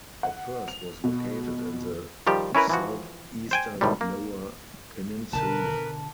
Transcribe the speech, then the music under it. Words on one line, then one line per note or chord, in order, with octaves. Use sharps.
The first was located in the southeastern Lower Peninsula.
F#5
F7
B2
D#3 F3 G3 G4
C#4 E4 A#4 B4
E3 F3 F#4
C5 G5 G#5
G#1 A2 C3 G3
A#3
B2 D3 A#4 B4 A5